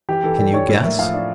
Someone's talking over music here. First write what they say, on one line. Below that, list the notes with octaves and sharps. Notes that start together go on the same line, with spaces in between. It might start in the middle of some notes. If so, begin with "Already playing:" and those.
Can you guess?
E3 G4
E3 A4
D4 A4
D4 C#5
A2 C#5
A#3 E5
F3 F5
D4